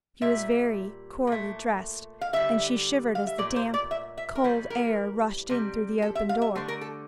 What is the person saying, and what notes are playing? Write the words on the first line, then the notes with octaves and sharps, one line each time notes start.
She was very poorly dressed, and she shivered as the damp, cold air rushed in through the open door.
A#2 G3 E5
A#2 A3
F5
D3 G3 E5
F5
E5
A#2 A3 D5
C5
D5
E5
E5
A#4
A2 E3 G3 C5
A#4
C3 G3
A4
E5
F5
E5
D3 A3 C5
A#4
A4